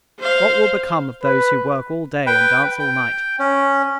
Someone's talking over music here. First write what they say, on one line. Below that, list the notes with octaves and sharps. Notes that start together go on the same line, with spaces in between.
What will become of those who work all day and dance all night?
C5 F5
B4
B4 G5
G5
C#4